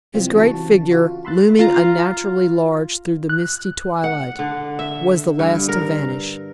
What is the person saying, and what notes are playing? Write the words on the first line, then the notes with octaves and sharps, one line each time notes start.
His great figure, looming unnaturally large through the misty twilight, was the last to vanish.
C3 E3 G3 C4 F4
C#3 E3 F#4 A5
F4 F#4
B5 C6 E6 F#6 A6
F4 A#5
F#6
F#5
D3
E5
G2
A#4